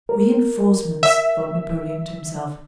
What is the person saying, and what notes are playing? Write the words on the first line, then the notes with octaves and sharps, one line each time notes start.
"Reinforcements!" thought Napoleon to himself.
A#4
E5